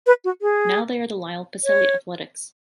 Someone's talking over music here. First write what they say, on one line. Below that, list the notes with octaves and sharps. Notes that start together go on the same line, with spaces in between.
Now they are the Lyle-Pacelli Athletics.
B4
F#4
G#4
C#5